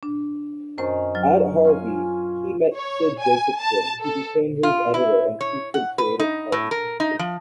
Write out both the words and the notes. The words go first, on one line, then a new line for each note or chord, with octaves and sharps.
At Harvey, he met Sid Jacobson, who became his editor and frequent creative partner.
D4
F#2 D#3 C#4 C5
F#3 F6
C#4 F4 G#5
C#5
G#5
A5
A4
F4
E4
C#5
F#5
B4
D#4
A2
A#4
D#4
F3